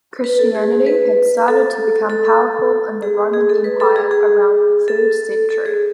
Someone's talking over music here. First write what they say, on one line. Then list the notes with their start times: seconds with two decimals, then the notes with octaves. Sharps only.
Christianity had started to become powerful in the Roman Empire around the third century.
0.24 B4
0.39 A4
0.55 G#4
0.86 B4
1.48 A4
2.10 A4
2.25 A4
3.02 G#4
3.34 G#4
3.49 A4
3.64 B4
3.80 A4
3.96 G#4
4.11 G#4
4.88 A4
5.50 A4
5.66 G#4